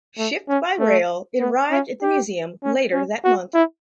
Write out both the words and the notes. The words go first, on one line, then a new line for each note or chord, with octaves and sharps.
Shipped by rail, it arrived at the museum later that month.
A3
C#4
A3
B3
C#4
G4
C#4
C#4
F#4
E4